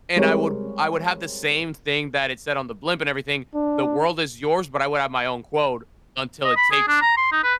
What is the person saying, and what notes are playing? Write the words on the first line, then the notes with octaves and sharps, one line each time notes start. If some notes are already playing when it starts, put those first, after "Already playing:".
And I would w I would have the same thing that it said on the blimp and everything, "The world is yours." But, I would have my own quote, "Until it takes you."
G3 G#3 C4 A#4 C#5
D4
D#5
B5
G#4
D4
A#5
C6
D#4
B4